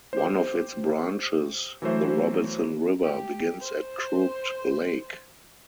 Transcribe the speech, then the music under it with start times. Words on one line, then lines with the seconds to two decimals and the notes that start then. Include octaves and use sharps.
One of its branches, the Robinson River, begins at Crooked Lake.
0.13 G4 C5
1.82 E3 F#3 A3 B4 C5 E5
3.03 G4
3.60 C5